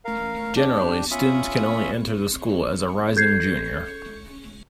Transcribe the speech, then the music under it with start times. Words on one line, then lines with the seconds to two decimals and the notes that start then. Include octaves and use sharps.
Generally, students can only enter the school as a rising junior.
0.05 A#4 F5
0.56 D4 G4
1.11 C#4 F4 E5 B5 C#6 D#6
3.16 A4 G6 G#6 C7